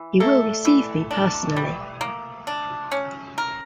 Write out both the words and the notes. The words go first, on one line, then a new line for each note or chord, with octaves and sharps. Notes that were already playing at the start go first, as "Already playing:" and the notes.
He will receive me personally.
Already playing: E3
A3 A#3 A4
E3
D4
G3
A#3
D4
C#4
A#4